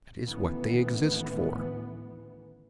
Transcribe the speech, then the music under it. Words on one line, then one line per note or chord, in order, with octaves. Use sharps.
That is what they exist for.
A1 D2 D#3 E3 B3